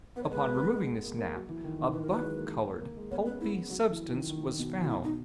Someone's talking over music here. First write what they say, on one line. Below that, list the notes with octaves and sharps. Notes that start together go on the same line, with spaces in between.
Upon removing this nap, a buff-colored, pulpy substance was found.
B3 B4
C#5
G#3 B4
B3
B3
G#3
G#3
A#3
A#3
F#3
E3
D#3
D#3
E3 B4
A#4
F#3
B4
G#3
A#3
A#3
A#3
G#3
B3 C#5
C#4 B4
B3 E4
B3
F#3
E3
D#3
D#3
B2
F#4
B2 E4
D#4